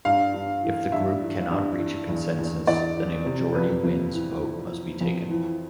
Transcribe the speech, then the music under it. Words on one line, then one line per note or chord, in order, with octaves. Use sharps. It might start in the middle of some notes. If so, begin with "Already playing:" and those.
If the group cannot reach a consensus then a majority-wins vote must be taken.
G2 F5
G2
E3
G2 E5
E3
G2
E3
E2
E2
E2 D5
E3
C3
F2 B4
F2
E3
E3
E3
F2
E3